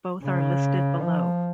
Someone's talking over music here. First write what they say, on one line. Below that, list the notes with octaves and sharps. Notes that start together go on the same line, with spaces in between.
Both are listed below.
C#3
F3